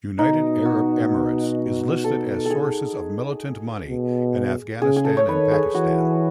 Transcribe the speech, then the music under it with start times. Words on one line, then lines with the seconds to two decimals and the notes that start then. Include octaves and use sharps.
United Arab Emirates is listed as sources of militant money in Afghanistan and Pakistan.
0.19 B2 D#4
0.65 F#4
2.04 A4
2.45 G#4 A4
3.89 B2
4.82 C#3 G#4
4.96 G#4
5.05 A4
5.17 C#5
5.28 D#3 B4
5.52 G#4
5.74 E3 F#4